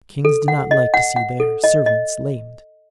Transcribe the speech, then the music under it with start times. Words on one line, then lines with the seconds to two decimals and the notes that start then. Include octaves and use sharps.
Kings do not like to see their servants lamed.
0.25 A4
0.48 F#5
0.71 D#5
0.94 F#5
1.16 F#5
1.40 A4
1.64 D#5
1.86 D#5